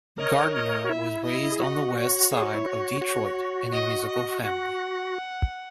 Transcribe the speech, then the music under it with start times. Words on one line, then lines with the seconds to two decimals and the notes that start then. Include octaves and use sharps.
Gardner was raised on the west side of Detroit in a musical family.
0.18 A#4 C#5 D#5
0.54 D#5
0.84 F#4
0.89 E4 E5
1.25 D#5
1.52 G#4
1.60 F#4 D#5
1.95 C#5
2.32 G#4 C#5
2.42 F#4
2.54 E4
2.66 F#4
3.01 F#4
3.73 D#5
4.08 D#5
4.43 F#4 F#5